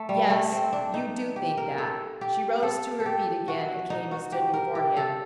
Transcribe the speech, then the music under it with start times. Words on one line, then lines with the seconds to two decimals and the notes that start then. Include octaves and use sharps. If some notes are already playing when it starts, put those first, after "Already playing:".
"Yes, you do think that!" She rose to her feet again and came and stood before him.
Already playing: A3
0.09 G3
0.30 A3
0.52 C4
0.73 D4
0.94 D#4
1.36 G4
1.57 A#4
1.78 A4
2.21 G4
2.63 A4
3.00 A4
3.06 G4
3.48 F#4
3.90 D#4
4.11 F#4
4.32 G4
4.54 A#4
4.75 G4
4.96 A4